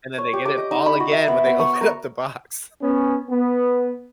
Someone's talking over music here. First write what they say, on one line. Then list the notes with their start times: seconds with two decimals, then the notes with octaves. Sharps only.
and then they get it all again when they open up the box.
0.18 C#5
0.33 G4
0.45 D6
0.58 D#5
0.71 D#4
0.86 B5
1.00 F#4
1.12 E5
1.28 B3
1.46 B3
1.59 C#6
1.81 A#4
2.82 B3 C#4
3.30 B3